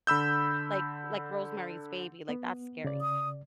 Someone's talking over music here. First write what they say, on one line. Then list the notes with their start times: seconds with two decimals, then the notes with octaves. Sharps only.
like like, Rosemary's Baby, like, that's scary,
0.07 D3 B5 E6 G6
2.29 B3
2.84 C#3 D5
3.01 D#6